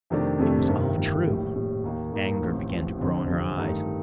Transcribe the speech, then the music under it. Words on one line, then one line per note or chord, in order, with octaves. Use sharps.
"It was all true." Anger began to grow in her eyes.
F2 C3 D#3 A3 D4
F2 C3 D#3 A3 D4
G1 G2 D#3
G1 G2 D#3
A#1 A2 G3
A#1 A2 G3
D#2 D#3 A#3 D#4
D#2 D#3 A#3 D#4
A1 A2 F3 C4
A1 A2 F3 C4
F1 F2 D3 F3 C4
F1 F2 D3 F3 C4
G2 D#3 A3 D#4